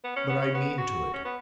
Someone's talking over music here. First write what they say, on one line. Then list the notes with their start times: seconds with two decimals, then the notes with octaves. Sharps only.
But I mean to it.
0.04 B3
0.16 C#4
0.29 B3
0.41 C#4
0.54 B3
0.78 F#4
1.13 C#4
1.25 B3